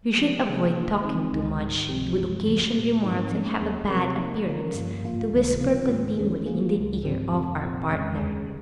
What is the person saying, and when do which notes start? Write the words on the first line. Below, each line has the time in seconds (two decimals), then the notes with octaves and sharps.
We should avoid talking too much; it would occasion remarks and have a bad appearance to whisper continually in the ear of our partner.
0.18 F3 C4 G4
0.46 C3 D#3 A#3 D#4 G#4
0.75 D#3 A#3 F4
1.03 C#3 G#3 C4 D#4
1.32 C#2 C#3 G#3 D#4
1.61 G#2 D#3 G3
1.89 C#2 C3 F3 C4 G4
2.17 G2 F3 G#3
2.46 D#2 C#3 F3
2.74 A#2 G3 A#3
3.04 G#2 F3 C4 D#4
3.31 F3 G#3 C#4
3.60 D#2 D#3 A#3 C#4 G#4
3.89 C3 F3 C4 G4 A#4
4.17 F3 A#3 D#4
4.46 C#3 G3 C#4 F4 A#4
4.74 G2 F3 A#3 F4
5.03 G#2 F3 A#3 F4
5.32 C#2 C3 D#3 G3 A#3
5.60 C#3 F3 C4 F4
5.89 G#2 D#3 G#3
6.17 D#2 D#3 G3 C#4 G#4
6.46 F3 A#3 C#4 F4 G#4
6.74 C#2 C#3 G#3
7.03 G#2 F3 C4 G4
7.32 F2 C3 F3 C4
7.61 A#2 F3 C4
7.89 F2 C#3 G#3 C#4
8.17 D#2 C#3 G#3 C#4 G#4
8.46 G3